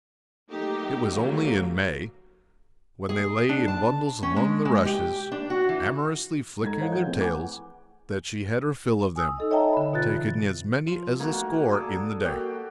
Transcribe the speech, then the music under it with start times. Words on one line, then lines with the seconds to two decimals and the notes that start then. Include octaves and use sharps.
It was only in May, when they lay in bundles among the rushes, amorously flicking their tails, that she had her fill of them, taking as many as a score in the day.
0.50 F#3 A3 A#3 D#4 G4
1.09 D3 E3 F#3 G3 A3 A#3
3.09 G#4
3.49 D4
3.68 A5
4.23 C#4
4.36 G#3
4.65 G#3
4.85 G4
5.32 D4
5.50 F#4
5.69 E3
6.62 G#2 A4 A#5 G#6
6.80 A4 C5 C#5 D#5 F5 F#5
6.92 E3 F3 G6
7.05 A3 C4 E4 G#4 B4
7.21 F#5 G#5 D6
9.16 G#5 D#6 E6
9.38 D#4 A4 D#5
9.51 C#5 D#5 E5 G5 A5 A#5
9.73 D3 B5
9.93 B2 F4 F#6 A6
10.16 E3
10.87 F3
11.20 B1 B2 A3 A#3 F#4
11.72 G#4 A4 D5
12.25 A#3 F#4 G4